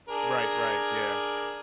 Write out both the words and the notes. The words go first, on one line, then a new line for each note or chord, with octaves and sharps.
Right, right, yeah.
D4 G#4 A#4